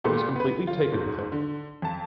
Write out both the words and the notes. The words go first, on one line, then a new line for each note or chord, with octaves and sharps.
I was completely taken with him.
A#2 D#3 G#3 B3 G4 A4
B3 B4
G1 F4
G#2 B2
D3
F2 A5